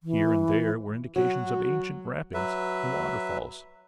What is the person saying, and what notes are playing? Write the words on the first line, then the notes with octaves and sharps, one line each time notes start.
Here and there were indications of ancient rapids and waterfalls.
E3
F#3 F#4
F#3 B4 E5